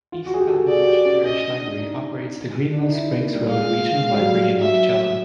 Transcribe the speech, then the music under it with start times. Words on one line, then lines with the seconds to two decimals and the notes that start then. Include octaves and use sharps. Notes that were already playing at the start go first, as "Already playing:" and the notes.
East Baton Rouge Parish Library operates the Greenwell Springs Road Regional Library in Monticello.
0.12 F4
0.26 F#4
0.34 G#4
0.40 G4
0.49 A4
0.54 G#4
0.68 G#4 D5
0.79 F#4
0.87 G4
1.05 C#4
1.24 C#4 D#5
1.52 D4
1.80 D#4
2.72 D4
2.82 D#4
2.92 E4
3.06 D#4
3.20 A#3
3.35 G3
3.48 G#3 F5
4.04 G#3
4.12 G3
4.19 F#3
4.27 G3
4.60 F#3 E5